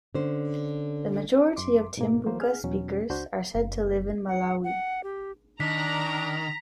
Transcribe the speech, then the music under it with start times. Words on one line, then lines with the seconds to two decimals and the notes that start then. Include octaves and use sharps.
The majority of Tumbuka speakers are said to live in Malawi.
0.14 D3 C#4 C5
1.57 F#2 C6 D6
1.97 G#2 B2 A#3
2.26 E3 F#3 A3 A#3 C5
2.41 G#4 F6
2.64 E2 B2 F#3 C#4
3.10 C#2 D4 F#4 C5 G6
3.55 F#1
4.28 F#5
4.64 F#5
5.04 G4
5.60 D#3 D4 A#5 B6